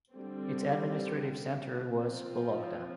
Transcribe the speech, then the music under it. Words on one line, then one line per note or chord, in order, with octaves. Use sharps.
Its administrative centre was Vologda.
D3 G3 C4
F3 C4